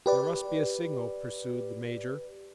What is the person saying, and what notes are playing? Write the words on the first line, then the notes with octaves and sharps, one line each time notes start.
"There must be a signal," pursued the major.
G4 B4 D5